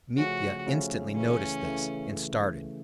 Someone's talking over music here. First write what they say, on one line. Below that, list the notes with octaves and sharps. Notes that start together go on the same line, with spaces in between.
Mitya instantly noticed this, and started.
C#3 F3 A3 C#4 F#4
C#3 F3 A3 C#4
C#3 E3 A3 C#4
C#3 E3 A3